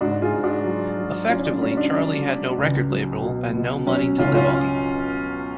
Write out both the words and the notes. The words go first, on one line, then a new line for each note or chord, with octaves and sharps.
Effectively Charlie had no record label and no money to live on.
G#2 D4 F#4
F4 G#4
G#2
D4 F#4
F#3
F#3
F#3 C#4 F4
D4
F#3 C#4
D4
F#3 D4
F#3
C#2
F#3
B2
B2
F#3 C#4
C#2 C#4 F4
C#4 F4